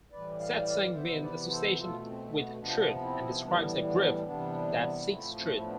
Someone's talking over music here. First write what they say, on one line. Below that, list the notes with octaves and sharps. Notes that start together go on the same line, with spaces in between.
Satsang means 'association with Truth' and describes a group that seeks truth.
A2 E3 G3 B4 D5
F5
G5
D5 F5
D5 F5
C3 E3 B3 C5 E5
B4 D5
A4 C5
B2 A3 F4 A4
C4
B3
C3 F3 B3 D4
C4 E4
A2 E3 G3 B3 D4
B3 D4
C3 E3 G3 B3 D4
A2 F3 A3 C4 E4
C4
E4
B3 D4